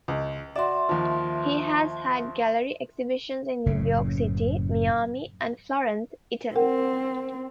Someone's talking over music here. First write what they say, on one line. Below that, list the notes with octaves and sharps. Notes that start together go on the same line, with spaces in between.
He has had gallery exhibitions in New York City, Miami, and Florence, Italy.
C#2
F#4 D5 E5 C6
D#2 F3
F#1 A2 C#3
C4 A#4 F#5 G5